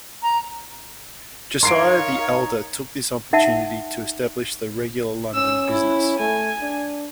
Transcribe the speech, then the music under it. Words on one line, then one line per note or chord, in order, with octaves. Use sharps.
Josiah the elder took this opportunity to establish the regular London business.
A#5
D#4 A#4 C#5 F5 C6 C7 D7
D#4 E5 F#5 A5
C#4 E6
E4
A3 G#5
D4